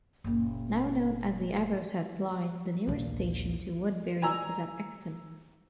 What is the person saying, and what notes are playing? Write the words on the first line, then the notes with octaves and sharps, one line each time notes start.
Now known as the Avocet Line, the nearest station to Woodbury is at Exton.
F#1 A#2
A#1 D#2
G#5 A#5 E6